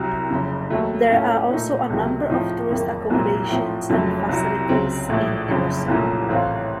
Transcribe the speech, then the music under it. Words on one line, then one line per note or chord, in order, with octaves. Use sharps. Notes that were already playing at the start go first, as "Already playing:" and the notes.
There are also a number of tourist accommodations and facilities in Irosin.
Already playing: C2 C3 F#3
F#1 F2 C#3
D#2 D#3 F#3 A3
A2 A3 C#4 F4
A#2 A3 D#4
C#2 C3 D#3 F#3 A3
A2 F3 C4 D#4
F#1 F2 D#3 A#3
C2 A#2 F#3 C4
A2 F3 C4
F#1 F2 C#3 F#3 A3
C2 C3 F#3
C#2 C#3 F#3 C4
A#1 A2 A3
F#1 F2 C#3
C2 A#2 F3 A3 C#4
A1 A2 A3 C4 F4